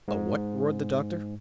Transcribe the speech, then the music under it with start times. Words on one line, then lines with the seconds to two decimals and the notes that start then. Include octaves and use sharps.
"A what?" roared the Doctor.
0.08 G#2